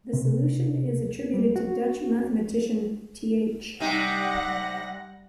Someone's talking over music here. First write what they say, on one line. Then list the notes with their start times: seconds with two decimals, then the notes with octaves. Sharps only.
The solution is attributed to Dutch mathematician Th.
0.13 C3
1.34 G3
1.56 F#4
3.80 C3 G3 D#4 F#5 A#6